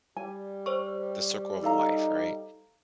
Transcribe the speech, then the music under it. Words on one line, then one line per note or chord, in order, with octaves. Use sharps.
the circle of life, right?
G3 G#5
C5 C#5 C#6
D#4 A4 F5 A#5